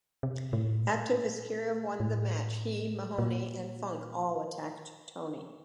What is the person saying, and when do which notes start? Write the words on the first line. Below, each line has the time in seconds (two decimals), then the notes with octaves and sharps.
After Viscera won the match, he, Mahoney, and Funk all attacked Tony.
0.23 C3
0.53 A2
0.82 A#2
2.00 A2
3.18 A#2